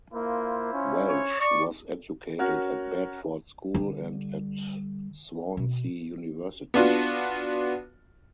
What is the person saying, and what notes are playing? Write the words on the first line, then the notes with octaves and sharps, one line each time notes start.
Welch was educated at Bedford School and at Swansea University.
A#3 E4 F4 C5
C#4
C#5
D5 C#6
C#4 F#4 A#4 C#5
D3 G3
B2
B3 D4 F4 F#4